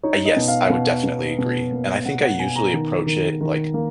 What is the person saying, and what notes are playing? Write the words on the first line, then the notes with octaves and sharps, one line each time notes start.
a yes, I would definitely agree. And I think I usually approach it, like,
D#4 C#5
D#5
B2
F5
B2
B2
B2
A#3
B2 F#5
F#5
B2 G#5
A#5
D#3
D#3
D#3
A#3